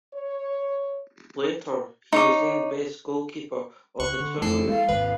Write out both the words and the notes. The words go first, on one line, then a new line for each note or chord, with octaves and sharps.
Later, he was named best goalkeeper of the tournament.
C#5
D#4 C#5 D6
C#2 C#6 F#6
D3
F2 E3 A3 A4 C7
G#3 F5
G#1 D#2 B4